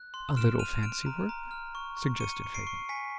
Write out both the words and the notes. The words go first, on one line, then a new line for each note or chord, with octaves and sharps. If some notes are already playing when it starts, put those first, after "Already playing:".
'A little fancy work?' suggested Fagin.
Already playing: F#6
C6
F6 D7 E7
F6 D#7 F7
F6 D7 E7
A#5
A#5
F6
C#6
C#6
C#6 C#7 D#7
C#6
C7 D7
C#6
G#5 B6 C#7